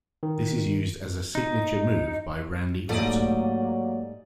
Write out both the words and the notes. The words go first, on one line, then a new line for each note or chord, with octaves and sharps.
This is used as a Signature move by Randy Orton.
D#3
D#4
G#2 F#3 G3 A3 A#3 D5 D#5